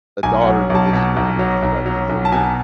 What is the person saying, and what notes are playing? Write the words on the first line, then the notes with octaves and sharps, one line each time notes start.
a daughter that visits me on the weekends back then, though, either.
B1 G#5
F#5
F#3
B1
A5
B2
B1
F#3
B1
F#3
B1
A5
B2 G#5